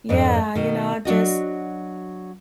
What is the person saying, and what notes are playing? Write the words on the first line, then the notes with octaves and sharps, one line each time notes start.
Yeah, you know, I just
F2 G#2 D4
B2 D#3
F#3 D4 F#4 D#5